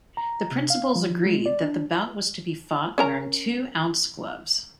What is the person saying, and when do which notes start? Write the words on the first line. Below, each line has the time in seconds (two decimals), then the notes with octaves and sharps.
The principals agreed that the bout was to be fought wearing two ounce gloves.
0.17 A#5
0.51 C3
0.70 F5
0.96 F3
1.25 G#3
1.46 D5
1.62 D4
2.98 C#4 A#4 A#5